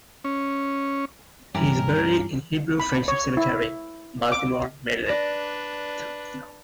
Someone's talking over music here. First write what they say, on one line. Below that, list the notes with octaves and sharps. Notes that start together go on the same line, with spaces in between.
He is buried in Hebrew Friendship Cemetery, Baltimore, Maryland.
C#4
G2 E3 C#4 G4 A#4
B5
C#5
E4
D6
D4 B4 D5 A#6